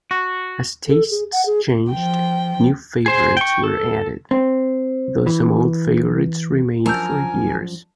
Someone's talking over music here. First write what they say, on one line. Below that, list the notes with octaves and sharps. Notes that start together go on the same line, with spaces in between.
As tastes changed, new favourites were added, though some old favourites remained for years.
F#4
A4
G#4
F#5
G#4
F3 G5
G#4 C5
G5 C#6
A4
C4
E3
F#2 F3 D4 A#4 G#5 A5 E6 G6